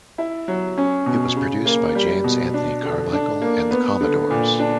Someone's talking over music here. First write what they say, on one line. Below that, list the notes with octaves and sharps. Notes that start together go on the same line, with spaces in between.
It was produced by James Anthony Carmichael and the Commodores.
E4
F#3
C#4
B2
C#3
A#3
G3
B2
D4
D3
D4
A#3
B3
D3
A#2
D4